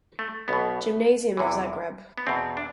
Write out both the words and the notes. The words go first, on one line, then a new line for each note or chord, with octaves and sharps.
Gymnasium of Zagreb.
A3
B1 B2 B3
E2 C3 E3
B3
E2 B2 C4
D4